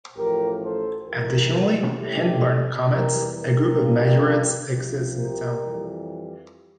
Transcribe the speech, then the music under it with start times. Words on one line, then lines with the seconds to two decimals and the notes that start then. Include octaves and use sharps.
Additionally, "Hyndburn Comets", a group of majorettes, exists in the town.
0.17 A1 A2 F3 G4 A#4
0.62 A4 C5
1.08 F2 E3 G3 G4 A#4
1.99 A1 A2 G3 E4 G4
2.90 E2 E3 G3 G4 A#4
3.35 G4 A#4
3.81 G2 F3
4.72 C2 C3 F3
5.18 G4 A#4
5.64 F2 E3 G3